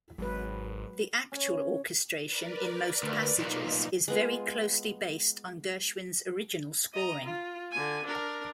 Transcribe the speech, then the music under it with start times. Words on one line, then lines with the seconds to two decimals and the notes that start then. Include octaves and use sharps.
The actual orchestration in most passages is very closely based on Gershwin's original scoring.
0.18 G#1 F#3 G#3 B4
1.32 C#4
2.25 A#4 B4 D5
3.03 D2
3.38 B1 A#2 D#4
4.08 G#3 B3 F4
6.94 D#5 A#5
7.25 F4
7.72 D3 G#5
8.05 D4 A#4